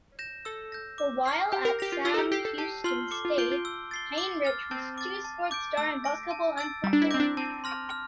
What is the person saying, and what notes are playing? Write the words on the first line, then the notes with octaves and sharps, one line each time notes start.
While at Sam Houston State, Heinrich was a two-sport star in basketball and football.
G6 A#6 E7
A4 E6
G6 A#6
D6
F6 C7
G4 G6
A#4
G4 A#6 F7
F4
F4 E6
A4
G4
G4 G6 C7
A4
G4 A5
F4 C6 F6 C7 G7
A4 D6
F4
F4 G6 D7 G7
F4
E6
A6 C7 G7
D6
F6 A6
C4 A5
D6 A6
A5
D6 G6 D7
A3 E6
A#6 D7
A5
E6 A6 D7
G3 A#5
D4
E4
C4 D6 G6 A#6
D4
C4 A5
C6 F6 A#6 F7
F6